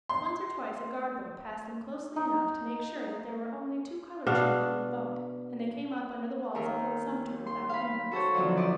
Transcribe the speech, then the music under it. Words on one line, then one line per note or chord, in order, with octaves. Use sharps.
Once or twice a guard-boat passed them closely enough to make sure that there were only two colored children in the boat, and they came up under the walls of Fort Sumter without a hindrance.
C6
D#4
B2 D4 F5 F#5
D#2 A#4
C6
F5 B5
F#4 A4 C5 C#5
D3 D#3 F3 F#3 C4
E4 D5 D#5